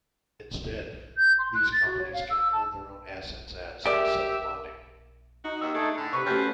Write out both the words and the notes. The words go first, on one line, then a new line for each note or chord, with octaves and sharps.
Instead, these companies can hold their own assets as "self-bonding".
G6
C6
F#6
A6
F#4
C#5
F5
E6
A5
G#3 G4 A#4 D5 E5
D#4 F#4
D#2 E6
A3 D4 G#4 A4
A2 D3
C3 B4 C#6
F3 A3 C#4 F#4 G4